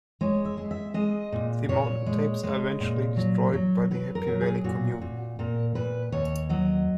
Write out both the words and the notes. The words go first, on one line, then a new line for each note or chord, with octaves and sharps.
The Mountain Tapes are eventually destroyed by the Happy Valley commune.
G#3 C#5
E5
G#3
E5
G#3 D#5
A#2
A#2 C#5
G#3
G#3
A#2
F#3
F#3
F#3 B4
A#4
F#3
G#4
A#2 F#4
A#2
A#2 A#4
A#2 B4
D#2 C#5
F#3 D#5